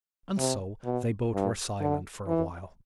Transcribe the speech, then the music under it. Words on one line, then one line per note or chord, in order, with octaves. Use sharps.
And so they both were silent for a while.
C3
B2
G2
D3
E3